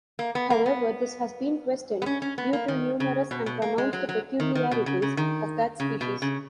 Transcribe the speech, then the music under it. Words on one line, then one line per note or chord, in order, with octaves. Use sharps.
However, this has been questioned due to numerous and pronounced peculiarities of that species.
A#3
B3
A#3
B3
B3
C#4
C#4
B3
A#3
D#3
C#3
B2
B2
A#3
G#3
F#3
F#3
D#3
D#3
B2
C#3
C#3
D#3
C#3
B2
C#3